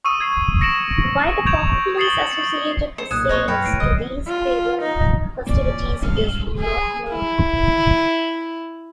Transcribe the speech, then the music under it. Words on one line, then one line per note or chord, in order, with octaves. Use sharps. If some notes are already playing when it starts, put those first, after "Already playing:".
Why the populace associated the saints to these pagan festivities is not known.
C#6 D#6 E6 D#7
G#6 C7
A#6 C#7 D7 E7 F#7
C#6 G6 G#6 D7 E7 F7
D#6 A6 C7 C#7 F#7 G7
C#7
C5 C#7
B1 A#2 D#6 F#6 G#6 E7
C5 C#5 D#5
F#2 B4 C#5 G5 F6 A#6 C#7
E2 A2 C7 D7 D#7
C2 D#3 F#3 D#5
F4
D#4
A#2 E3 C4 C#4 D5
G#2 G3 C#4 F5
G#4
E4